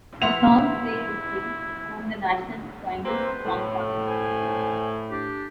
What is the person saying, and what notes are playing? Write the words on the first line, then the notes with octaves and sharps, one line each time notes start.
Her song, "Se in Se" won the National Finals Song Contest.
F3 E4 B4 E5 F#5 C6 F7
A#3 C4 B4 C5
A2
C5 G#5
D4 G4